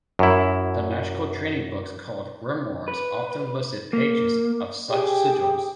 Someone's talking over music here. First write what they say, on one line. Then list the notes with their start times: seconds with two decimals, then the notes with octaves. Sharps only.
The magical training books called grimoires often listed pages of such sigils.
0.19 F#2 E4
2.88 B4
3.93 A#3
4.88 G4 G#4 G5